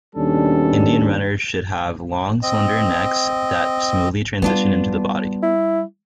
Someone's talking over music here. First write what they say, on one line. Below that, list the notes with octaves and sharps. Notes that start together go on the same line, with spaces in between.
Indian Runners should have long, slender necks that smoothly transition into the body.
D#2 B2 G3 C#4 D4 A4
C4 D#5
G3 B3 D4 F4
E4